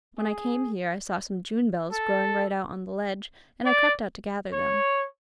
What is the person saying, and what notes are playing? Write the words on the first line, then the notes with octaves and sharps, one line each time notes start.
When I came here I saw some junebells growing right out on the ledge and I crept out to gather them.
G#4
A4
D5
C#5